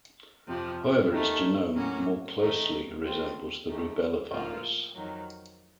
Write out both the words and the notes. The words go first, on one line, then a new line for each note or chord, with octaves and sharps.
However, its genome more closely resembles the rubella virus.
F2 C3 F3
D#2 D#3 A3
A2 F#3 A#3 C#4 F#4
D#3 A3 D#4
D#3 A3 C4 F4
F2 D#3 A3
A2 F3 A#3 F4
F2 D#3 F#3